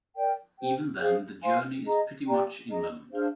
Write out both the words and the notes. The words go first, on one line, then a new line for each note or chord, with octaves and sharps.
Even then the journey is pretty much inland.
A#4 D5 G5
G4 C5 G5
G#4 C5 F5
C5 F5 G#5 C6
G#4 D#5 A#5
G4 D5 G5 A#5
G#4 D#5 A#5
D4 G#4 C5 F5